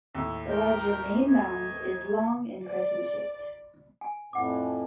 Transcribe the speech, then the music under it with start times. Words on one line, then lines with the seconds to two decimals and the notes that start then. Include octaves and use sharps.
The larger main mound is long and crescent-shaped.
0.15 D#2 A2 E6
0.49 A#4 G5
1.28 D#5 G#6
2.64 D5
4.01 G#5
4.33 F2 A2 E3 F#5 D6